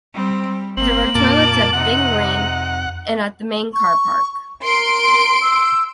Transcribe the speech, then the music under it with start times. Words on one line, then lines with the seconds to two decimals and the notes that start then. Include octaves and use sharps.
There are toilets at Binn Green and at the main car park.
0.13 G3 C4
0.46 G3
0.77 G1 A#3 C4 F#7
1.15 F2 A#2 A5 D6
1.73 C3 D#4 F#5
3.73 C#6
4.63 A#4 C6 D7
5.41 E6